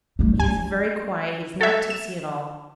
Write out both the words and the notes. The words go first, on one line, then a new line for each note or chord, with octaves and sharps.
He is very quiet--he is not tipsy at all.
G2 A3
C#4 D4 G#5
A4 E5
E7